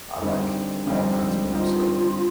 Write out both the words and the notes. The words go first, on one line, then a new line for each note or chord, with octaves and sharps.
I like all kinds of 'em, so,
D3 G3 C4 D#4
D3 F3 G3 C4 D#4
F3
G#3
D3 G3 C4 D#4 F4